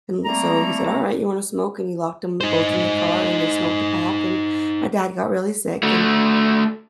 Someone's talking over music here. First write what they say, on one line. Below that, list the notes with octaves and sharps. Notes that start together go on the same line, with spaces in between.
and so he said, "Alright, you wanna smoke?" and he locked them both in the car and they smoked a pack and my dad got really sick, and
G3 A3 A#3 C4 A#5
D#4 C5
A3 F#4